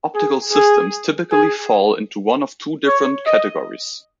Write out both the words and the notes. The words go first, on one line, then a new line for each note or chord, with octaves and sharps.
Optical systems typically fall into one of two different categories.
G#4
G#4
G#4
C#5
D#5